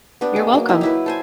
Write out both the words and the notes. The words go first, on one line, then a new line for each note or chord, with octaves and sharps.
You're welcome.
B3 D4 G4
G#3
F#3 A#3
D#4 E4 G4
F#3 E4 B4
A4 C5 G#5